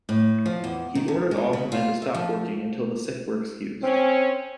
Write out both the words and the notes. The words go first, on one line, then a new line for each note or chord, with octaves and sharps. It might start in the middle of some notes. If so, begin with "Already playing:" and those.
He ordered all of the men to stop working until the sick were excused.
A2
F3
E2
D#3
C3
G#3
C#3
F4
E5
F3
C4 C#4